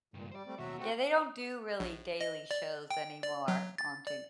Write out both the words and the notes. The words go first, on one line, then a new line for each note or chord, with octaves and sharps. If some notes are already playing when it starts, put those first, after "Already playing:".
Yeah, they don't do really daily shows anymore on t
C#2 G2 A#2
G3 C5 D5
G3 A3 C4
D#2 B2 F#3 F#4 E5
A3 C4 F#4
A#1
D#5
D5
G5
D5
F#3
A6
D5